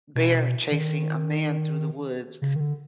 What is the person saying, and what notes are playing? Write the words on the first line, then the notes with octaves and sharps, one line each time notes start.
bear chasing a man through the woods,
B2
D#3
C#3
D#3
D3